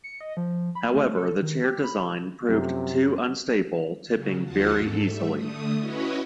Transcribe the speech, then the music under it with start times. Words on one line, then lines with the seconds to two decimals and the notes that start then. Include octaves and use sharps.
However, the chair design proved too unstable, tipping very easily.
0.04 C#7
0.21 D#5
0.37 F3
0.75 B5
0.93 A3
1.17 A4
1.42 D#3
1.64 G4
1.83 B5
2.48 F#2 C3 F3 F#3
4.13 C#3 F#3
4.44 D#2 F3 F4 F#4 F#5 A5
4.74 G#2 A4
5.05 G3 A3 E5
5.34 D3 A3 D#6
5.78 C#4 E4 F#4 B4 C#5 D#5